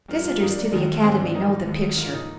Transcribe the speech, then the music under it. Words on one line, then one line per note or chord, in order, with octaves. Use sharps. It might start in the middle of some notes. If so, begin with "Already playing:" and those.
Visitors to the Academy know the picture.
G2 F3 A#3 F4
F4
G2 F3 A#3 D#4
D4
D4
D#2 D#3 G#3 D#4
G#2 D#3 G#3 C4
D4
G#2 D#3 A#3 D#4
D#2 D#3 G#3
G#2 F3 A#3 F4
D#4